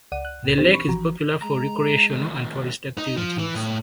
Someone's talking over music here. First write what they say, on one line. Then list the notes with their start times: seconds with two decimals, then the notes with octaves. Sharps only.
The lake is popular for recreational and tourist activities.
0.12 C#2 D5 F#5 D#7
0.25 F#6
0.44 C#2 A#2
0.58 E3 C4 D4 D#4 G4 C5
0.74 B5 C#6
0.88 G#1 E3 F3 F#4 A#5
1.42 G#3 A#5
2.11 A2 D#3
2.98 D#4
3.17 F3
3.39 E3
3.55 A2